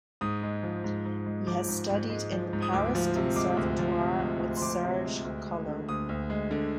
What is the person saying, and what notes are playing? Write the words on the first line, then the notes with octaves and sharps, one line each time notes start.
He has studied in the Paris Conservatoire with Serge Collot.
G#2 D#6
G#3
F3
G#2
G#2
G#3
F3 D6
G#2
G#2
G#3
F3
G#2
D#6
D2 D6
F3
C3
G#3 D6
D2
F3
C3
G#3
D2
C6
F3 D6
C3
G#3
D2
G#3
D3
D2 D#6
D2
G#3
D3